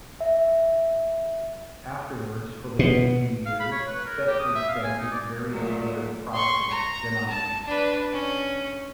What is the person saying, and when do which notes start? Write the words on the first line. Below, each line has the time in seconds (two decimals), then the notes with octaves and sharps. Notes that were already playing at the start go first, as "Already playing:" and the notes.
Afterwards, for the next few years, Thetford sampled various other Protestant denominations.
0.21 E5
2.79 B2
3.46 F5
3.60 B5
3.72 C#5
3.87 B4
4.05 A#4
4.27 G4
4.39 D#6
4.55 E5
4.68 F5
4.84 G#5
4.99 D#4
5.11 D5
5.51 A#2 F#3 G#3 A3 A#4
6.33 C6 C#6
6.71 A#5
7.30 A5
7.67 D4 B4
8.13 C#4